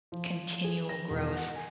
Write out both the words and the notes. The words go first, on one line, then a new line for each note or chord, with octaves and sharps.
continual growth,
F3
G#4
A#6
E1
F#5
G#5